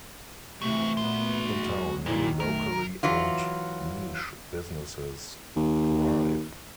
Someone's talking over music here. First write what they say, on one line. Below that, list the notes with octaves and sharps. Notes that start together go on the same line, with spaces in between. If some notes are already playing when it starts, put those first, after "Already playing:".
In town, many locally owned niche businesses thrive.
C#2 C3 E3 F#3 A3
A#2 B3 F#4 C6
E2 F#3 G#3
B1 A#2 D#3 F#3 E4
A3 A#4
E3 F#3 F4
D#2